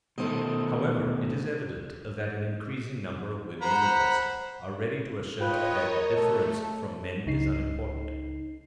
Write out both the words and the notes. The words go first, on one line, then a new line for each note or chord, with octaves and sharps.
However, it is evident that an increasing number of women in the West are ready to assert that their difference from men is unimportant.
B2 D#3 A3 A4 C5 D#5
C5 F#5 A#5 B5
F4 B4 C#5 D#5 G5
A#4
A3 A4
C#2 C#3 D#4 C7